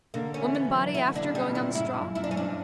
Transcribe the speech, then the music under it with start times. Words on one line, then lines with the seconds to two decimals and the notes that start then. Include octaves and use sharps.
Womanbody after going on the straw?
0.14 D3 A#3
0.34 C#4
0.41 E3
0.55 B3
0.68 F#3
0.94 D3 E4
1.16 D4
1.21 C#3
1.35 G3
1.49 A#2
1.55 E4
1.75 G2 E4
1.96 F#2
2.15 F#2 E4
2.24 D4
2.31 C#4
2.36 G2 D4